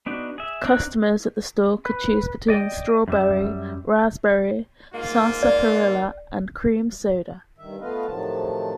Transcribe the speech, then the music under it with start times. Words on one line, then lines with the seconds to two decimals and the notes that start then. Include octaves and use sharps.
Customers at the store could choose between strawberry, raspberry, sarsaparilla, and cream soda.
0.06 B3 D4 D#4 F#4
0.38 G#4 E5
0.64 C4 D4 D#4 F#6
1.86 B4
2.48 D5 D#5 G5
3.08 F#2 G3 E5
4.93 G#2 A#3 F4
5.43 D5
7.58 G2 D#3 E5
7.80 A3 B3 F4 B4 D#5 F5
8.06 A2 C3 D#3 F3 F#3 A5